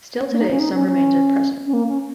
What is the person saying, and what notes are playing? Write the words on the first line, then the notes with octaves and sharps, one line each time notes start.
Still today some remains are present.
A#3
D#4
C#4
D#4
C#4
C#4
C#4
A#3
C#4